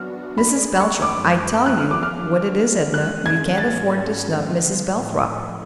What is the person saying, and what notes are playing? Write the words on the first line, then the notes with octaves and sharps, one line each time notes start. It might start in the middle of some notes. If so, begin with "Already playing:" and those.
'Mrs. Belthrop.' I tell you what it is, Edna; you can't afford to snub Mrs. Belthrop.
Already playing: F#3 B3 D4 F#4 F6
G#3 D4 G#4 D5 B5
C#6
F#2 F3 G#3 D6
F2 F3 B3 D4 F4 F#6
F6
D6
F6
G#3 D4 F#4 B4
G#3 C#4 G#4 F#6
G#6
G#2 G#3 C#4 F#4 A4 A6
D3 F3 G#3 B3 F4
A2 F3 A3